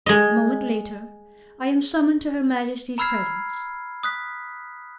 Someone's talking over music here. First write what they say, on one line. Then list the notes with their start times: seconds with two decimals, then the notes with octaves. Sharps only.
A moment later I am summoned to Her Majesty's presence.
0.06 G#3 D#5
2.98 A#5 B5 E6 F6 G#6 C7
4.03 D#6 F#6 B6